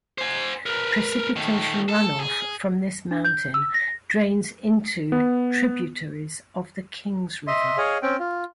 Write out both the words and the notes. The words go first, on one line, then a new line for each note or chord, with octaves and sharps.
Precipitation runoff from this mountain drains into tributaries of the Kings River.
C5 G#5
A#4 B4
D#3 A3
A4
G#4
D4
G6
E6
A#6
B3
D#5 E5 C6
G#4 C#5 D#5 F5
C4 C#4 G5
F4